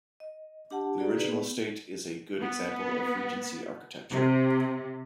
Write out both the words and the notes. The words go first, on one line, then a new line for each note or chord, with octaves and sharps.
The original estate is a good example of Regency architecture.
D#5
D4 G4 F#5 A5
F#4 G#4 D5 A#5
D#4 G#4 B4 D5
B3
B3
C3